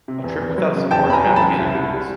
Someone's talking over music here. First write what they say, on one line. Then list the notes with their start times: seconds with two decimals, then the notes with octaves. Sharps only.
A trip without support or navigating tools.
0.08 C3
0.24 E2
0.41 E2
0.58 F#3
0.75 C#3
0.91 E2 G5 A5
1.08 E2 B5
1.13 G#5 A#5
1.25 F#3
1.36 A5 B5
1.42 C#3
1.59 C2
1.75 C2
1.92 G3